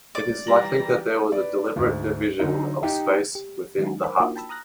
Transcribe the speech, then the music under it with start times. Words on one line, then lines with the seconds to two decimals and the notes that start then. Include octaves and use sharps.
It is likely that there was a deliberate division of space within the hut.
0.15 A#3 D5
0.47 E3 G3 G4 G5 A#5 A#6 F#7
1.32 B4 D5
1.76 D2 G#2
2.39 D3 F#3 D#4
2.83 D#4 G4
3.35 G4
3.78 D#3 F#3 G#3 D4 D#4
4.03 A#4 C5 B5
4.20 A#3 D4 D#4 F4 F#4 A#4
4.36 G5 A5 B5 E6
4.49 A#5 D#6 F6 F#6 A#6